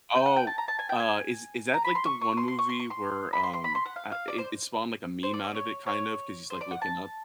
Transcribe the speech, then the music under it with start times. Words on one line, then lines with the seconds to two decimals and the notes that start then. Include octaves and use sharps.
Oh, uh, is is that, like, the one movie where, um, ah it it spawned, like, a meme out of it, kind of, 'cause he's, like, looking up?
0.15 G5
0.26 F#5
0.37 G5
0.47 A5
0.58 A#5
0.68 A5
0.79 G#5
0.89 G5
1.00 G#5
1.74 A#5
1.85 B5
1.95 C6
2.06 C#6
2.21 C#6
2.37 C6
2.48 C6
2.59 C#6
2.69 C6
2.80 C#6
2.90 C6
3.33 B5
3.43 C6
3.54 C6
3.64 B5
3.75 C6
3.86 F#5
3.96 F5
4.12 F5
4.28 D5
4.38 C5
5.23 C5
5.34 D5
5.44 D5
5.55 C#5
5.87 C#5
6.50 C5
6.61 D5
6.71 F#5
6.82 A5